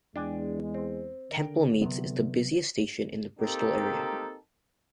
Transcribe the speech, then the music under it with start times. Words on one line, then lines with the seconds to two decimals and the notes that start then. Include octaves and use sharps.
Temple Meads is the busiest station in the Bristol area.
0.16 E2 G#3 D4 G5 G#5
0.74 C4
1.32 D3 A#4 G5
1.81 C3 F#3 B3
3.39 A#3 C4 D#4 G4 A4 A#4